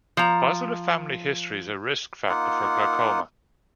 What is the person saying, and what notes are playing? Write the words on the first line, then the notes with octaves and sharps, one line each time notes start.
Positive family history is a risk factor for glaucoma.
F3 A#5
A#3 D#4 F4 F#5